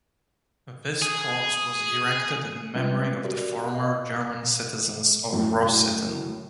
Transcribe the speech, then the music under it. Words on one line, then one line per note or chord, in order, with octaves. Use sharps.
This cross was erected in memory of the former German citizens of Rossitten.
G#4
G3 G#3 C#4 F4 B4 E5
F#4 G4 A#4 D5
D#5 F5
F#2 A2